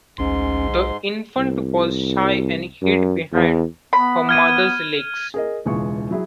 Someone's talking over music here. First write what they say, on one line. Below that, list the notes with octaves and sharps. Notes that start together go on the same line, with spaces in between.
The infant was shy and hid behind her mother’s legs.
A1 D2 G#2 C#4 C6
B1
C2
F#2
E2
B3 B5
F6 G#6 D#7
G#4 A#4 D#5
E1 C#2 E3 G#3 C#6
F#3 E4 G#4